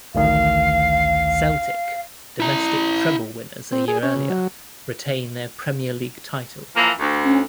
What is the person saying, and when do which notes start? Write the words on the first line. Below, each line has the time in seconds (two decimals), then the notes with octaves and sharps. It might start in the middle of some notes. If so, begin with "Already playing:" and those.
Celtic, domestic treble winners a year earlier, retain their Premier League title.
0.15 A1 D2 D#3 F5
2.40 E4 A#5
3.72 C4
3.88 G#4
4.03 C#4
4.16 C#3
4.30 F#3
6.75 E3 F3 A#3
6.99 D2
7.25 C#4